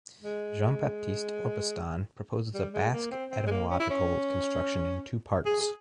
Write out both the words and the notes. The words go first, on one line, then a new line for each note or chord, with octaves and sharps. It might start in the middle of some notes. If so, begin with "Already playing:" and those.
Jean-Baptiste Orpustan proposes a Basque etymological construction in two parts.
G#3
G3
G#3
A#3
C4
C4
G#3
A#3
C#4
E4
C#4
G#4
G#4